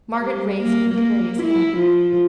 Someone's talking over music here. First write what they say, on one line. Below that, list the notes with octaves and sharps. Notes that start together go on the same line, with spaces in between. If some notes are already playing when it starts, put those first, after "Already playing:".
Margaret raised an imperious hand.
G3
A#3
A#3
E4
F3